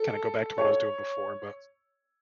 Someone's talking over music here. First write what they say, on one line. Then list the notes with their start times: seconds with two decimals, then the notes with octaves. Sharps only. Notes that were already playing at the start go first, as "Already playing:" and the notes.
kinda go back to what I was doing before, but
Already playing: A4
0.58 C#5